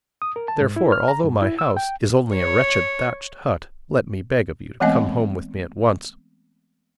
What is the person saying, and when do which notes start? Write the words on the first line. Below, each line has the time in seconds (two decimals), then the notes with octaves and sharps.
Therefore, although my house is only a wretched thatched hut, let me beg of you to come home with me at once.
0.22 D#6
0.36 A#4
0.48 A5
0.60 G#2
0.76 E4
0.92 F6
1.08 A#5
1.24 G2
1.42 E4
1.59 E6
1.77 G5
2.34 C#5
4.80 E3 G#3 A3 B3 C4 D#5